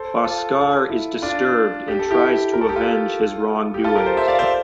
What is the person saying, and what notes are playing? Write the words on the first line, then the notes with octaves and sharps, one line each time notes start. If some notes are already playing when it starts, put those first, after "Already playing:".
Bhaskar is disturbed and tries to avenge his wrongdoings.
Already playing: A4 C5
F4 A4
E4
D4 F4
G4
A4
E4 G4
A#4
A4
G4
F4 A4
G4
F4 A4
G4 A#4
A4 C5
C5 E5
D5 F5
C5 E5